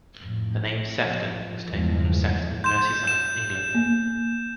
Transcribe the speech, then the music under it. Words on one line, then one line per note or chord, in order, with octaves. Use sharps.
The name Sefton was taken from Sefton in Merseyside, England.
F2 A2
F3
E2 G2 C#3 E3 F3 G#3
C6 G6 E7
E7
A#3